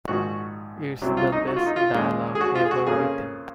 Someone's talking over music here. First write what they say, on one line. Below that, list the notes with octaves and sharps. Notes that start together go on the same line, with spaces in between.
It's the best dialogue ever written.
A#1 G#2 D#3 F#4
C2 C3 F#3 C4
F4
D#4
F#4
F4
D#4
F4
D#2 C#3 G#3
G#4
F#4
F4
G#4
F#4
F2 C#3 F3 A#3 C#4 G#4